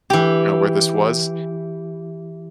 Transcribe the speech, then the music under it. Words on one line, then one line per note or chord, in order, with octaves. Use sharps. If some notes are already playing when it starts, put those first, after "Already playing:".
uh, where this was,
E3 G4